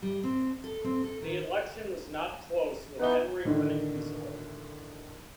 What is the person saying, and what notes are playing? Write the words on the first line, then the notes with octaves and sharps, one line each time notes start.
The election was not close with Henry winning easily.
G3
C4
A4
C4
A4
D#3
E3 B3 D#4 B4 E5 G7
A2 D3 D#3